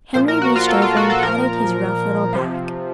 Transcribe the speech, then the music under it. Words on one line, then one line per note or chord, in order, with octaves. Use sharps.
Henry reached over and patted his rough little back.
A#2 F3 C5
A#4
F#4
F4
A4
F4
F#4
A4
A#2 F3 A#4
C3 F3